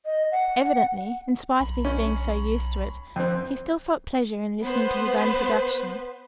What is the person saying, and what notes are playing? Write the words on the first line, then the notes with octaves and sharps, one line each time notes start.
Evidently, in spite of his being so used to it, he still felt pleasure in listening to his own productions.
D#5
F#5
B1 B5
C#4
F2 C4
B3 B4 C5